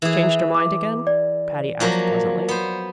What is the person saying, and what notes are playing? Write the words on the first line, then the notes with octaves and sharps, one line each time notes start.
"Changed her mind again?" Patty asked pleasantly.
E3 G#4
D6
D5
F3 F#3 A#3
B3 C5